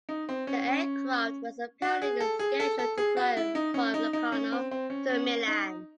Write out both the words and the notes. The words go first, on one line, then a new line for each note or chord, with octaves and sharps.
The aircraft was apparently scheduled to fly from Locarno to Milan.
D#4
C4
C#4
C#4
F#4
G#4
A4
G#4
A4
A4
G#4
F#4
E4
D#4
C#4
D#4
D#4
C#4
C4
C4
C#4
C#4
C#4
D#4